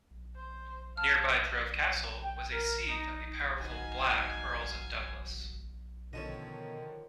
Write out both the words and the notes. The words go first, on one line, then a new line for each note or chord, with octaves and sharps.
Nearby Threave Castle was a seat of the powerful "Black" Earls of Douglas.
C5
F5 A5 F6
G5
A#4
D#4
G1 D#4 F#4 B4 F5 G#5
B2 D3 D#3 F3 C#4 A4 C#5 D#5